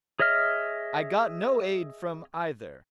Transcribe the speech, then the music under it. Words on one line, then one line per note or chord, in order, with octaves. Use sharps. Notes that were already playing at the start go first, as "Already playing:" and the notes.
I got no aid from either.
G#4 C#5 D#5 E5 F6